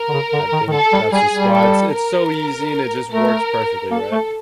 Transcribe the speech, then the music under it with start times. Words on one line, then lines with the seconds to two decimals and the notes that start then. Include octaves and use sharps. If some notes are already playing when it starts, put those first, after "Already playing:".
I think that's the spot. It's so easy and it just works perfectly, right?
Already playing: A#4
0.09 D3
0.13 C#3
0.33 D3
0.52 D#3
0.68 D#3
0.72 D3 A4
0.93 G3
1.12 G3 G#4
1.33 G3
1.52 A4
1.92 A#4
3.12 A3 A#4
3.91 A#3 A4
4.12 A3